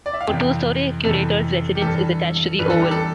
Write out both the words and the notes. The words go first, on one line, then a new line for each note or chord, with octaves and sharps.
A two-storey curator's residence is attached to the oval.
D5
E5
F5
F2 C3 E3 G5
F2 C3 E3 A4
G4
G2 E3 A4
G2 E3 B4
A4
G4
A4